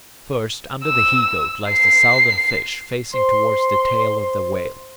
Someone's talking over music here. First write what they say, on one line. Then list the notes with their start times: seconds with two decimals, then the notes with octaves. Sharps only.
First, under the He-Goat lies the Southern Fish, facing towards the tail of the Whale.
0.85 E6
1.70 C7
3.14 C5 C6